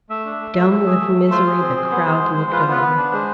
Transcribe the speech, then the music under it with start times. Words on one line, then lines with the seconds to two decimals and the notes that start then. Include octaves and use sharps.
Dumb with misery the crowd looked on.
0.10 A3 E5
0.25 D4
0.41 A3
0.56 A3
0.70 A3
0.86 G#4
1.00 A3
1.15 A3
1.31 F4 C5
1.47 G#4
1.62 C4
1.77 G#4
1.91 B3
2.07 G#4
2.21 G#3
2.37 G#3
2.52 F4 B4
2.62 B3 C5
2.72 B4
2.82 B3
2.97 D4
3.12 G#3 C5